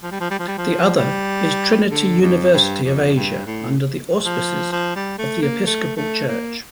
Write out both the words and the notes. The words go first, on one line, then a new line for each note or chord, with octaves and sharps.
The other is Trinity University of Asia under the auspices of the Episcopal Church.
F3
G3
F3
G3
F3
G3
F3
G3
D3
F2
G2
F2
G2
A2
F3
F3
G3
A3
A#3
A3
A3
A#3